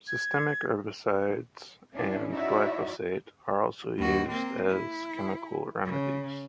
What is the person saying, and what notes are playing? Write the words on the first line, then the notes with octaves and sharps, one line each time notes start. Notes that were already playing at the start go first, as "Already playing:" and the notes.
Systemic herbicides and glyphosate are also used as chemical remedies.
G#6
C#4 D4 E4
D#4 E4 F#4 C#5 D5 E5
D#2 F#4
A#3 C4
E4
C#3